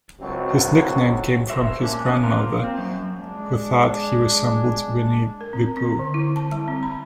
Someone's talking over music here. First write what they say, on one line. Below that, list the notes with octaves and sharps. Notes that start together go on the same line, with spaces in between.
His nickname came from his grandmother, who thought he resembled Winnie the Pooh.
C#2 F#2 C4 F#4
A#4 C5 E5
A#2 C#4 D4
B3
A#3 F4 A#4
C4
F#2
G#3 D4
A#4
C4
C4
D3
E4
A5
G3
C4
B5